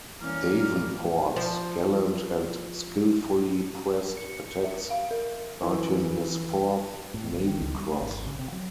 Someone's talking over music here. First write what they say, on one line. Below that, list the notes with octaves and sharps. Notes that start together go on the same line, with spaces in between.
Davenport's gallant and skillfully pressed attacks earned him his fourth Navy Cross.
E3 A#3 C#4 D5 A#5 F6
A2 E3
F3 C5
C#7
E5
F5
A#4
E3
A2
G1
D#3
C#2
G3
A3
G#1
C#3
C3
F#3